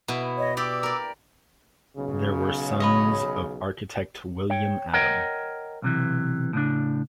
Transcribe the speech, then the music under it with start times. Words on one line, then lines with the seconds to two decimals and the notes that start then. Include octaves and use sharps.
They were sons of architect William Adam.
0.08 B2 B3 E4
0.37 C#5 D#5
0.57 G4 D5 D6 E6
0.83 A#4 D5
1.97 B1 C#3
2.80 B4 C#5 D#5
4.50 C#5 G5
4.93 A#4 C#5 D#5 F#5 G5 A#5
5.82 B1 C3 E3
6.53 A2 C#3 D4